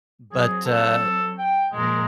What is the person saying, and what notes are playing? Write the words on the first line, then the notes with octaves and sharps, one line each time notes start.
but, uh
F#3 C4 G#4
A4
G5
A#2 F3 G#3 A#4